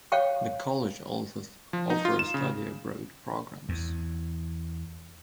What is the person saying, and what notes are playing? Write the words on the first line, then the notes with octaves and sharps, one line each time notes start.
The college also offers study abroad programs.
C#5 F5 G5 C#6
F3
D#4
F4
E7
C#3
E2